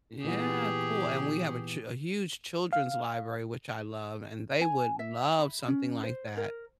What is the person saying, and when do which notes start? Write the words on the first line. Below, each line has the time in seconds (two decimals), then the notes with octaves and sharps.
Yeah, cool, and we have a ch a huge children's library, which I love and they would love something like that.
0.24 A#2 E3 B3 G4 G#4
2.73 F5
4.61 G#5
4.99 E5
5.39 B5
5.68 C#4
6.03 C5
6.37 A#4